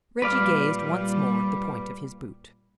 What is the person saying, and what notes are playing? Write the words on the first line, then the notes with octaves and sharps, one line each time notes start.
Reggie gazed once more at the point of his boot.
A#2 G3 B4 D5 F5